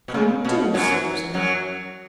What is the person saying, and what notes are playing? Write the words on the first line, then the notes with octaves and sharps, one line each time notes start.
Come, do, Susan.
B2
C#3
B2
F#2 F#3
F#2 F#3